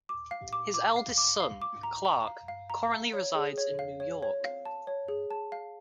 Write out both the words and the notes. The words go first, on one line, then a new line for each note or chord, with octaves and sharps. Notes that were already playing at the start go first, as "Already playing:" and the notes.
His eldest son, Clark, currently resides in New York.
D6
F5
D6
D6
F5
D6
F5
D6
A#5
A#5
F5
F5
A#5
F5
C#5
G#4
C#5
F5
C#5
C#5
F5
A5
C#5
G#4
A5
F5